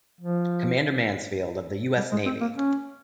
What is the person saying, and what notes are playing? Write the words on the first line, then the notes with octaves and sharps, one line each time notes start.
Commander Mansfield of the U. S. Navy.
F3
G3
G#3
C4
A#3
C#4